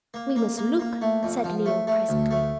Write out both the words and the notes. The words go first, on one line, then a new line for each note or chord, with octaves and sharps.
"We must look," said Leo presently.
A#3
A#3
A#3
A#3
A3
F2
F3
A3
A3
D2
A3